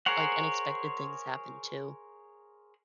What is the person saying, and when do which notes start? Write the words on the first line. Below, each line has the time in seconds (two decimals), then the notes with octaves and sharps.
like, unexpected things happen, too.
0.06 G#4 A#4 C5 C#5 F#5